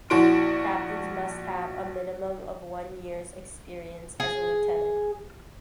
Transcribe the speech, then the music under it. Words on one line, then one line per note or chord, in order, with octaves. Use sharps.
Captains must have a minimum of one year's experience as a lieutenant.
A#1 E4 F#4 C#5 C6 D7
G#4